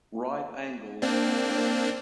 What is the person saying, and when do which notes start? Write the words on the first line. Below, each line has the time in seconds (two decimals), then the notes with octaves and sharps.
Right angles are rare.
1.02 A#3 C4 D4